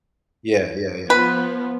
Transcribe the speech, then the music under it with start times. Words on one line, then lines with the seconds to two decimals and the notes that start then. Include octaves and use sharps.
Yeah, yeah, yeah.
1.10 F3 B3 B4